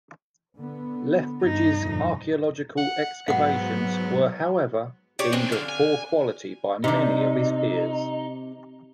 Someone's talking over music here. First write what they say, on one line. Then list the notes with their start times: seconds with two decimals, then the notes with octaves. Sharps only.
Lethbridge's archaeological excavations were however deemed of poor quality by many of his peers.
0.55 D3 B3
1.43 G2 D#4
1.80 F2 A#2 D3
2.78 F#5
3.28 G#2 F#3 B3 F5 F#5
5.19 G4 C#5 D5
5.33 G#3 C4 D4
5.52 D3 F5
5.69 G#5
6.84 C3 D4 D#4